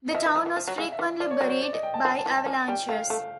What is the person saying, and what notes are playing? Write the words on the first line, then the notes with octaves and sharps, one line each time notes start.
The town was frequently buried by avalanches.
D#5
F3 E5
E3
F3
E3
F3
F#3
G#3 F5
E5
E3
F3 D5
C#5
F#3 C5
C5
D5
D#5
G5
A5
F3 G#5
A5
E3
A5
F3 G#5
G3 G5
A3 F5
A3 F5